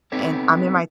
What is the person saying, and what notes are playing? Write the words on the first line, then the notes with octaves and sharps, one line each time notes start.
and I'm in my
B3 C4 D#4 G4 A4 C#5